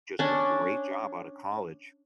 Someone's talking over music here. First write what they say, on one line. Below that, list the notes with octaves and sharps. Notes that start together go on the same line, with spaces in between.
just a great job out of college,
C#4 D4